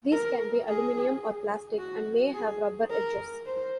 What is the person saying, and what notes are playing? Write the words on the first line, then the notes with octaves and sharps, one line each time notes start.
These can be aluminium or plastic and may have rubber edges.
A#4
G#4
F#4
G#4
A#4
C5